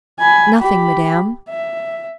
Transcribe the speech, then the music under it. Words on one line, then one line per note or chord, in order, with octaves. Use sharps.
"Nothing, Madame."
G#5 B5
G4 B5
E5